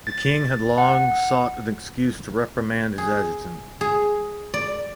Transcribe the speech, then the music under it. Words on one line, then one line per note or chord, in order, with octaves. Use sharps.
The king had long sought an excuse to reprimand his adjutant.
A6
F#5
G#4
G#4
D5